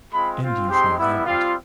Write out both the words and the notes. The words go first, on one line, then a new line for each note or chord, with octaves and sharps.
And you shall have it.
G#3 C4 F4 B5
C4 F4
G#3 C4 D#4 G4 C6
G3 B3 E4
G3 C4 F4